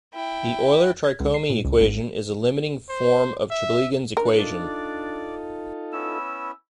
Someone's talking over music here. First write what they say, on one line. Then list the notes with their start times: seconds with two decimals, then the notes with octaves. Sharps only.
The Euler-Tricomi equation is a limiting form of Chaplygin's equation.
0.14 E4 G5
1.04 G#6
1.20 C#2
1.34 C7
1.50 A#2
1.65 C#2
1.80 G#1
2.90 C5
3.51 E5
4.17 D4 A#4
4.38 D#4 F4 A4 D5 D6
5.92 B3 C#4 E4 E6